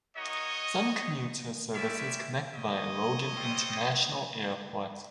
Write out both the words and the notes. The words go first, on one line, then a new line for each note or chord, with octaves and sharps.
Some commuter services connect via Logan International Airport.
A#3 D#4 F#4 C#5 D#5
G#3 C#4 E4 G4 D5 E5
C#5 D#5
G3 C4 F4